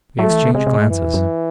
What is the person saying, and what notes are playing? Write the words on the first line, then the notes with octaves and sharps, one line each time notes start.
We exchanged glances.
F#3 A3
E3
C#3
C3 G#3
C3
G#2
F#2 E3
E2
F#2